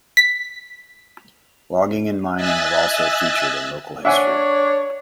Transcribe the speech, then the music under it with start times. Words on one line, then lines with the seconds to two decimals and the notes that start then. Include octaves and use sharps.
Logging and mining have also featured in local history.
0.17 B6
2.36 D#5 E5 G#5 E6 F#6 A6
4.05 D4 C#5 E5 F#5 G#5